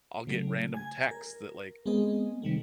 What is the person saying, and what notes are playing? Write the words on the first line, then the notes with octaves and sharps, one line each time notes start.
I'll get random texts that like,
C#3 F#3 A3
G#5 G#6
A#4
G#3 B3 C4 G#4 D#5
C3 D#3 G3 A3